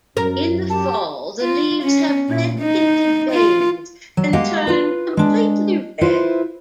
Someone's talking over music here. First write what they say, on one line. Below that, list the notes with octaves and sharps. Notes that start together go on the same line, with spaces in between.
In the fall, the leaves have red tinted veins and turn completely red.
F#2 A#4
G4 A5
F4
C#4
A#2
D#4
F4
F#3
G#3 A#3 G4 D#5 F5 F#5
F4 B4
G#3 D4
E4 F4 B4 C5